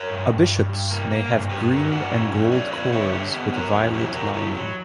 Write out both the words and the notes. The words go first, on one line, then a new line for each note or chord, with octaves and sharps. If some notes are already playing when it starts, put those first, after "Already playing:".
A bishop's may have green and gold cords with violet lining.
Already playing: A#4 C#5
G2
G2
G2
G2
A#3
A#3
G2
G2 G4 B4
G2 F#4 A#4
G2 D4 F#4
G2 C#4 E4
F#3 C#4 E4
F#3 B4 D5
B3 B4 D5
D3 C#5 E5
D3 G4 B4
B3
F#3 F#4 A#4
E2
F#3 E4 G4
E2 F#4 A#4
E2 E4 G4
F#3